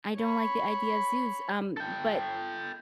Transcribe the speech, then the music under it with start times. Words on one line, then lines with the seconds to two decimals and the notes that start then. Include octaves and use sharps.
I don't like the idea zoos, um, but
0.17 C#5 B5
1.77 A4 G5